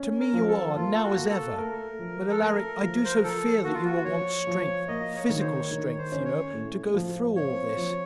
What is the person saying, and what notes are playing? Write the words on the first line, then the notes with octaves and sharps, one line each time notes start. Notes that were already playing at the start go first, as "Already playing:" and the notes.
'To me you are, now as ever; but, Alaric, I do so fear that you will want strength, physical strength, you know, to go through all this.
Already playing: C#4
A#4
F3
A4
A#3 F4
A4
F#4
A#3
A4
A3 A#4
F3
A4
A3 A#4
F3
C5
A#4
F3 A4
A#3 F#4
F4
F#4
F3 C#5
F3
A#3 D#5
C#5
D#3
C5
C#5
D#3 C#5
C5
C#4
C#5
A2
F3
C4 C#5
F3